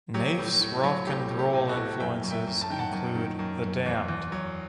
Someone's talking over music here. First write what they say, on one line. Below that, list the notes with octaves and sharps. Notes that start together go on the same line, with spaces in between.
Naiff's rock and roll influences include The Damned.
F#3 G4
A2
A2
F#3
A2 G4
A2
G4
A2
F#4 A4
A2
F#2 E5 G5
F#2
E5 G5
F#2
A5
D#3 G5
F#5 A5
F#2
D#3
F#2
F#2
E2
E2
F#3